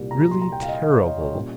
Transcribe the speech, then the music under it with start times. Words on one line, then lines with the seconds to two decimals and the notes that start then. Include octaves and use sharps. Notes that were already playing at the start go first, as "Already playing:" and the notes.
Really terrible.
Already playing: C2 A#2 G3
0.11 A#5
0.21 A#5
0.31 C6
0.42 A#5
0.52 G5
0.62 F5
0.68 D#5
0.73 F5
0.83 D#5
0.94 C#5
1.07 D#5
1.20 C#5
1.35 A#2 G3 C#4